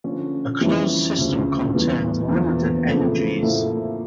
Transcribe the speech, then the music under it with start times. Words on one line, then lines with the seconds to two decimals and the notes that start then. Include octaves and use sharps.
A closed system contains limited energies.
0.04 D3 F3 C#4
0.61 F2 E3 G3 C#4 E4
1.17 D2 C#3 F3 C#4
1.74 E2 E3 G3
2.29 E2 D3 F3 A#3
2.85 F2 C#3 F3 A3
3.42 A2 F3 A#3 E4 A4